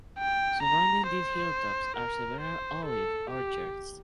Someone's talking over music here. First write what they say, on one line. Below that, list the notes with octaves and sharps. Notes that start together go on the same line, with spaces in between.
Surrounding these hilltops are several olive orchards.
G5
A#5
C5
A#4
C5
A4
G4